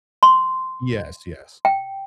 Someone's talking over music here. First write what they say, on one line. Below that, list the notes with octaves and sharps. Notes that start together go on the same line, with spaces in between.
Yes, yes.
C6
G5